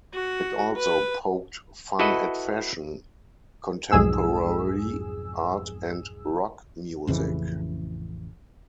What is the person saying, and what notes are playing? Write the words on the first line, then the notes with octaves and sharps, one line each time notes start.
It also poked fun at fashion, contemporary art and rock music.
F#4
B4
E4 F#4 A4 B4 D#5
B1 F2 G#2 G#4 E6
A1 F2 C#3 E3